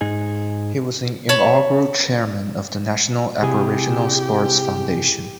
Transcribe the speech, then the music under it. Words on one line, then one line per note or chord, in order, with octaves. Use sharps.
He was the inaugural chairman of the National Aboriginal Sports Foundation.
G#2 D#4 G#4
C#5 A5 B5
C3 E4 G4 G#4 G#5